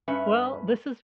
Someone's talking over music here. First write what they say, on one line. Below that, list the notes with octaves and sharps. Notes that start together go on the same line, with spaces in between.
Well, this has
G2 C#4 B4 E5